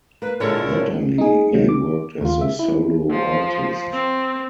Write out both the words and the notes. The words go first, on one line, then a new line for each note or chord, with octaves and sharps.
Latterly, he worked as a solo artist.
A#3 B4
A#2 D3 G#3 E4 A4 A#4 C#5
D#4 G#4
C3 D#3 F#3 G#3 A#3
D6
D#2 F4
E5
E4
F3
C4